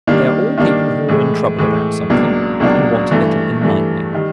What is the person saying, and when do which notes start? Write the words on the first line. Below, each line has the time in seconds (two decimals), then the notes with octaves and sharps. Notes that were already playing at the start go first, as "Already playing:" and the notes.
They are all people who are in trouble about something, and want a little enlightening.
0.07 D#3 G3 A#3 D4
0.58 D#3 G3 A#3 D4
1.09 A2 E3 G#3
1.59 A2 E3 G#3
2.10 C#2 B2 F#3 A#3 D4
2.60 C#2 B2 F#3 A#3 D4
3.11 G2 E3 A3
3.61 G2 E3 A3
4.13 D#3 G3